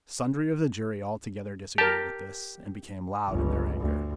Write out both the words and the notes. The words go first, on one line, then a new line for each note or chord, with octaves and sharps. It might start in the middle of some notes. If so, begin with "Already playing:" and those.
Sundry of the jury altogether disagreed with this, and became loud in their anger.
G4 A#4 A5
G1 C#2
D2